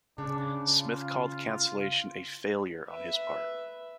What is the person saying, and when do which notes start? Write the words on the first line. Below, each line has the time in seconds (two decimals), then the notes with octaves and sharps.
Smith called the cancellation a "failure" on his part.
0.18 C#3 D4
0.80 F4
2.88 B4 E5